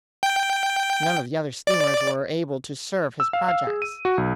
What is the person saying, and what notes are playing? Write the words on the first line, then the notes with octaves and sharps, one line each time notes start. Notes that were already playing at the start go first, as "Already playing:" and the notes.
None of the other steamers were able to serve his projects.
G5
D5
E6
F5
F5
G#4
D#7
F#4
B1